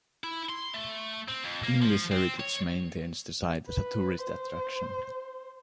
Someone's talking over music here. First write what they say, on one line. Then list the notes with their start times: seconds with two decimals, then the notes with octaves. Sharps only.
English Heritage maintains the site as a tourist attraction.
0.24 E4
0.50 C6
0.74 A3
1.28 C4
1.44 F2
1.64 A#3
1.82 F3
2.12 C4
2.40 C#5
3.68 B4
4.25 C5